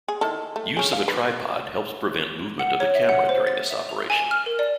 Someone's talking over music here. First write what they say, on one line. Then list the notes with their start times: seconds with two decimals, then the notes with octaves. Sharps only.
Use of a tripod helps prevent movement of the camera during this operation.
0.08 G#4
0.21 D#3 E4 A4
0.56 A3
0.77 C#4 G#4
0.93 F5
1.08 B4
2.59 F#5
2.80 C#5
2.95 E5
3.09 F#5
3.29 C5
3.47 A6
3.70 E5
3.89 F7
4.10 G#5
4.31 F6
4.46 A#4
4.59 D5